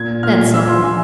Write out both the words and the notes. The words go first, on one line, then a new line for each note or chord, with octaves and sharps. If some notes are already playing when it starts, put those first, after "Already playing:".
That's all.
Already playing: A#2 G#6
A#2 F6
F3 E6
C6
F3 G#5